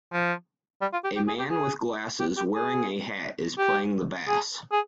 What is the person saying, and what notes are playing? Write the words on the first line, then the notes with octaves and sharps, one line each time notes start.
A man with glasses wearing a hat is playing the bass.
F3
G3
F4
G4
G4
G#4
G4
G#4
G4
G4
G#4
G4
G#4
G#4